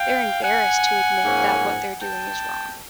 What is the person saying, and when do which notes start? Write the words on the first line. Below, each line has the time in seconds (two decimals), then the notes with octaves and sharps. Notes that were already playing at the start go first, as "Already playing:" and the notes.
they're embarrassed to admit that what they're doing is wrong."
Already playing: F5 G5
0.43 F#5 G#5
1.22 G#2 F3 A#3 C#4
2.01 G5 A5